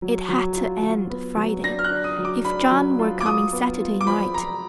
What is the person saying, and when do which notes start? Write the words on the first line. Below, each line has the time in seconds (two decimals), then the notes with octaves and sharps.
It had to end Friday, if John were coming Saturday night.
0.02 F#3
0.29 F#3
0.56 F4
0.83 F#3
1.10 B3
1.37 F#3
1.64 D4 A#6
1.79 F6
1.84 F#6
1.90 D4
2.04 D#6
2.18 F#3
2.25 D6
2.45 D4 B5
2.71 F#3
2.99 F4
3.20 D6
3.26 F4 D#6
3.52 B3
3.80 F4
4.01 D6
4.06 F3 B5
4.34 F3 A#5